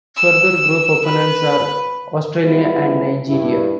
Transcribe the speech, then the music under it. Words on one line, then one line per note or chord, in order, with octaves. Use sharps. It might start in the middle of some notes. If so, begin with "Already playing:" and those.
Further group opponents are Australia and Nigeria.
E6
B4
F3 G3 G#3 B3 E4
G2 E4